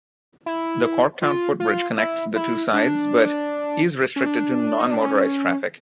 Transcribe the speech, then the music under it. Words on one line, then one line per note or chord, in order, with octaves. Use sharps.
The Corktown Footbridge connects the two sides, but is restricted to non-motorized traffic.
E4
F4
F4
E4
E4
D4
C#4
D4
D#4
D4
C#4